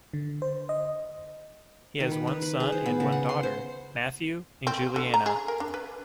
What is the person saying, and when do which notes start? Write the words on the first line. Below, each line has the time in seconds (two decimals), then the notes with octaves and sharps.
He has one son and one daughter, Matthew and Julianna.
0.14 D3
0.42 C5
0.69 D#5
2.00 D#3
2.12 B4
2.27 B4
2.42 B4
2.60 G#4
2.72 C5
2.86 B3
3.00 C#3
3.12 F#5
3.29 C6
3.43 C5
4.67 C4
4.96 D3
5.14 A#5
5.26 G#4
5.48 A#4
5.60 D4
5.74 B4